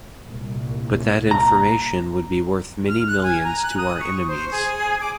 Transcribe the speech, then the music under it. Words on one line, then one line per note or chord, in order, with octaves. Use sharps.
But that information would be worth many millions to our enemies.
C2 A#2
A#5
F6
F#6
G#5
A#5
F#6
D#6
C#6
C5
G#4
D6